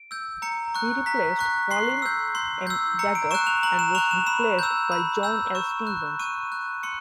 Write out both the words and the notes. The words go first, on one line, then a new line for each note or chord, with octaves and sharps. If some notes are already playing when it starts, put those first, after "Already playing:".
He replaced Rollin M. Daggett, and was replaced by John L. Stevens.
Already playing: D7
E6 G6
A#5 C#7
C#6 F#6
A#5 B6
C#6 F#6
C6 C7
E6 G6
C6
E6 G6
A#5 C#7
D7
C#6 F#6 E7
F7
A#5 F#7
E7
C#6 F#6 F7
E7
B5 E7
E6 G6
B5
E6 G6
C#6 E7
F#6
C#6 D#7
F#6
C6 C#7